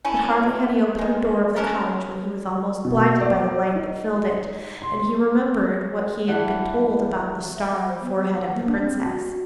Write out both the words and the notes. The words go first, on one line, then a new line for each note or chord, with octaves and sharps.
But hardly had he opened the door of the cottage when he was almost blinded by the light that filled it; and he remembered what he had been told about the star on the forehead of the princess.
A3 C#4 E4 G#5
D#3 G#3
F#3 C#4 A4 A#4
B2
D5
D#4
C6
G2 E3 F#5
E5
F#5
C5
B3
G4
F#5
A#3
D4
C4
F#4
F#4